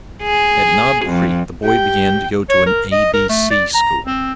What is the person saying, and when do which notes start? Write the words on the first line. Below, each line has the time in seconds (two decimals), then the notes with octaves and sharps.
At Knob Creek the boy began to go to an "A B C" school.
0.23 G#4
1.06 F2
1.64 G4 G5
2.50 C#5
2.66 A#4
2.92 D#5
3.13 A#4
3.29 A3
3.51 D5
3.74 A#5
4.06 C4